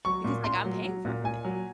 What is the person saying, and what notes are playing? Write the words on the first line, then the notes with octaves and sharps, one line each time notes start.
because, like, I'm paying for everything."
F#3 C#6
A#2
A#2 C6
F#3
F#3
A#2
A#2 G#5
F#3